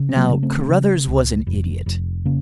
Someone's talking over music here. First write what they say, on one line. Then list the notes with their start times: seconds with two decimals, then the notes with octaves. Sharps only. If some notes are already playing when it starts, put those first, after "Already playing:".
Now, Carruthers was an idiot.
Already playing: C#3
0.09 C4
0.16 F#3 A#3
0.29 C#3
0.43 A3 C4
0.69 C#3
1.08 C#2
1.47 F1
1.86 F1
2.25 C#3 A#3 C#4